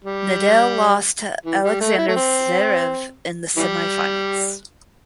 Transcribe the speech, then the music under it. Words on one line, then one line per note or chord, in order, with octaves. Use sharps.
Nadal lost to Alexander Zverev in the semifinals.
G3
E3
G3
A3
E4
A3
C4
E3 G3